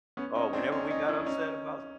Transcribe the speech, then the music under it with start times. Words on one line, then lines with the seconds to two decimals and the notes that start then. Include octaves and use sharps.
Oh, whenever we got upset about the
0.17 B3 C#4
0.35 C#4 D#4
0.53 C4 D4
0.72 C#4 D#4
0.90 C#4 D#4
1.08 D4 E4
1.26 C#4 D#4